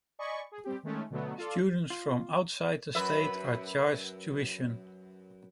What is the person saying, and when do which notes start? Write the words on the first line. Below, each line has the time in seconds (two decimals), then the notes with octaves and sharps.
Students from outside the state are charged tuition.
0.19 D5 D#5 G#5 B5 C#6
0.52 G#4
0.64 G3 C4 G4
0.83 D#3 G#3 A3 C#4
1.10 B2 D3 F#3 A3 B3
1.38 F4 A4 D5
1.90 F4
2.95 F#2 B4 E5